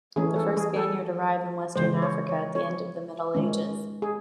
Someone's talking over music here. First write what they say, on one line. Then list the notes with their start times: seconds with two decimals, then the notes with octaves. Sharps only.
The first Spaniard arrived in western Africa at the end of the Middle Ages.
0.16 E3 A3 C#4 G#4
0.36 A4
0.57 G#4
0.76 A4
1.76 C#3 E3 G#3 C5
2.02 C#5
2.29 C#5
2.55 C#5
3.35 D#3 G#3 C#4
4.02 G#4